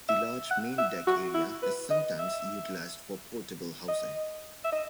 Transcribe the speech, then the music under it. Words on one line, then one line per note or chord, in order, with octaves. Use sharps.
The large main deck area is sometimes utilized for portable housing.
E5
F#5
E5
F#4
E4
B4
D#5
E5
D#5
E5
D#5